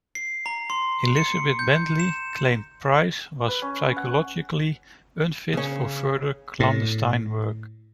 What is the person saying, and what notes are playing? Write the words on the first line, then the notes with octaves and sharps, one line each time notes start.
Elizabeth Bentley claimed Price was psychologically unfit for further clandestine work.
C7
A#5
C6
C#7
G6
E7
B4
C#4
F#5
C#3 C#4
A2